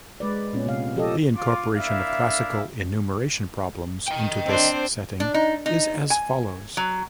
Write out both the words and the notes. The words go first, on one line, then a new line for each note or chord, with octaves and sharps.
The incorporation of classical enumeration problems into this setting is as follows.
G#3 B4 D5
A#2 B3 C#4
C3 F5
F3 G4 A4 D#5
F4 D6
A#3 D4 E4 E5 F5
D#5 G5
C4 D4 C5
D4
D#4
D#4
G#5
F#3